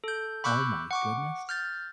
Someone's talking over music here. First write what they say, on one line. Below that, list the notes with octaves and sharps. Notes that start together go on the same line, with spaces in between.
Oh my goodness.
A4 G6
B5 C#6 D6 E6 F#6 G6
F#5 C#6 D6
F6 G6 A6